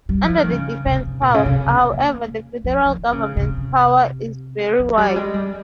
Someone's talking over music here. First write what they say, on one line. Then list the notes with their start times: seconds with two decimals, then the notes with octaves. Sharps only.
Under the defence power, however, the federal government's power is very wide.
0.09 G3
0.23 F3
0.36 D#3
0.50 C#3
0.86 C3
1.21 A#2
1.34 C#3
1.46 C3
1.70 A#3
1.93 A#3
2.64 F3
2.89 D#3
3.12 C#3
3.37 C3
4.79 F3
4.98 G3
5.16 G#3
5.34 G3